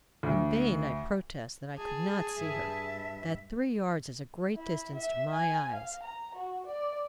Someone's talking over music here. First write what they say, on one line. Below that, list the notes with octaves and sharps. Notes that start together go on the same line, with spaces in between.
In vain I protest that I could not see her,--that three yards is a great distance to my eyes.
D2
G#4 A5
G2 E5
E4
E5
G#5
F5
A#5
F#4
D5